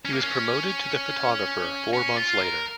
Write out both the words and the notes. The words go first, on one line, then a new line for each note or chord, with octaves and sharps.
He was promoted to the photographer four months later.
C#4
A#3
C#4
C#4
F4
A#4